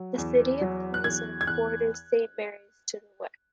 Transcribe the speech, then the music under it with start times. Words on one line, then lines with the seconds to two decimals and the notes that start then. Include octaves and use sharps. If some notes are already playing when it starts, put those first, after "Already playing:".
The city of Kingsland borders Saint Marys to the west.
Already playing: F#3
0.18 E2
0.61 F#3
0.94 F#6
1.04 E2 G#6
1.41 G#6
1.47 E2 F#6